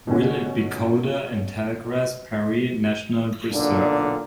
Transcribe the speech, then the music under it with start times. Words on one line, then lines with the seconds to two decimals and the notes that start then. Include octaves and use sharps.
Will it be colder in Tallgrass Prairie National Preserve?
0.07 B2 D3 A3 C#4 F#4
3.52 B1 A#2 D3 D4